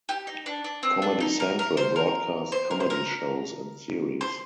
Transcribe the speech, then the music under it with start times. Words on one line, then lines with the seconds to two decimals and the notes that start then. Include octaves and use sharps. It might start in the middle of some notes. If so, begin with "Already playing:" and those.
Comedy Central broadcast comedy shows and series.
0.09 G4
0.27 D#4
0.46 D4
0.64 D4
0.83 C4
1.02 D4
1.20 D#4
1.40 A#4
1.59 A#4
1.77 C5
1.96 A#4
2.52 C5
2.71 A#4
2.80 C5
2.90 A#4
4.21 C5